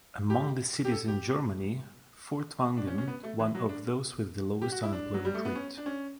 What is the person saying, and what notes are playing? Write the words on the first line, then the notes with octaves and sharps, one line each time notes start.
Among the cities in Germany Furtwangen one of those with the lowest unemployment rate.
G4
G4
A4
G4
D4
C#4
C#4
B3
A3
E3
F#3
D4
G4
F#4
E4
D4
F#3
G3
A3
B3
C#4
D4
C#4